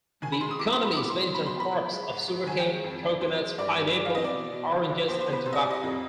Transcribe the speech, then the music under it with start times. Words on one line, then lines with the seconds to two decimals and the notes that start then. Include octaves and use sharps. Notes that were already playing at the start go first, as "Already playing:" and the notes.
The economy is based on crops of sugarcane, coconuts, pineapple, oranges and tobacco.
0.22 D#3 G#5
0.32 B5
0.41 G#3 C6
0.51 D#6
0.59 C3 D6
0.72 C6
0.78 B3
0.85 B5
0.93 D#6
0.96 B3 D6
1.10 C6
1.16 D4
1.22 C6
1.34 B2 B5
1.46 C6
1.54 B2
1.60 B5
1.72 F3
1.91 G#3
2.10 G#2
2.28 G#2
2.46 D#3 G#5
2.59 G5
2.65 G#3
2.84 F2
3.03 D4
3.21 F3 C5
3.40 G#3
3.58 G2 D5
3.78 G2
3.96 G#3 D5
4.05 F5
4.15 C4 D#5
4.24 D5
4.33 B2
4.53 B2
4.71 D3
4.89 F3
5.08 D#2 C5
5.20 C5
5.26 B3
5.33 B4
5.46 C3 C5
5.53 D#5
5.59 D5
5.65 G3
5.71 D#5
5.83 F2